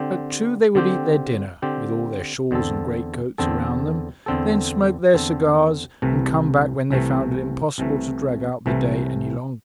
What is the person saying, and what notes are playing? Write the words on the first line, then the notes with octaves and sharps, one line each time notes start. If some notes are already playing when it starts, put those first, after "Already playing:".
At two they would eat their dinner--with all their shawls and greatcoats around them--then smoke their cigars, and come back when they found it impossible to drag out the day any longer.
Already playing: D3 C4 G4
D3 C4 G4
D3 C4 G4
E2 D3 C4 A4
E2 D3 C4 A4
E2 D3 C4 A4
E2 D3 C4 A4
C2 C3 E3 A3
C2 C3 E3 A3
C2 C3 E3 A3
C2 C3 E3 A3